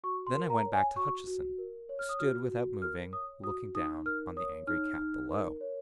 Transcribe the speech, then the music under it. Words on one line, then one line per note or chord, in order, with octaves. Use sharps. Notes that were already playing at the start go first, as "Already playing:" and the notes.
Then I went back to Hutcheson, who stood without moving, looking down on the angry cat below.
F#4 C#6
C6
A#4
A#5
C#5
G#5
F#4 C#6
F#4
A#4
C#5
F6
D#6
F#4 F6
F#4
A#4 F6
C#5 D#6
F#4 D#6
D#4 D#6
A#4 F6
C#5 D#6
D#4 F6
D#4
A#4
C#5